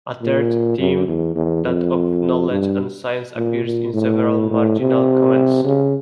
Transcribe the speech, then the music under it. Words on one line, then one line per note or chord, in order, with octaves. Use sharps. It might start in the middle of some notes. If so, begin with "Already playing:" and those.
A third theme, that of knowledge and science, appears in several marginal comments.
A#2
F#2
E2
E2
F2
G2
A#2
A#2
A2
A2
C3
C#3